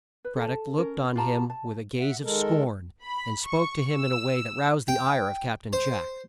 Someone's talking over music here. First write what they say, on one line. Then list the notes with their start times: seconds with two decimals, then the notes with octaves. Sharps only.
Brad-dock looked on him with a gaze of scorn, and spoke to him in a way that roused the ire of Cap-tain Jack.
0.25 B4
0.36 A4 A5
0.78 C#4 A#4
1.16 F4 G4 A5 A#5
1.50 A5
2.00 E5 F#5
2.24 D#3 G#3 A4 A#4
3.04 B5
3.46 C#6
3.96 E6
4.88 G5
5.73 C5